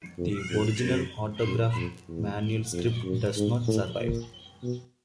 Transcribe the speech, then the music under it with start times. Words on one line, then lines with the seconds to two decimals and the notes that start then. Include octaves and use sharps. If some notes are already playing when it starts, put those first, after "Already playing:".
The original autograph manuscript does not survive.
0.18 F2
0.49 F2
0.80 F#2
1.44 F#2
1.76 F2
2.08 E2
2.72 F2
3.04 F#2
3.36 G#2
3.67 A2
3.99 A#2
4.63 B2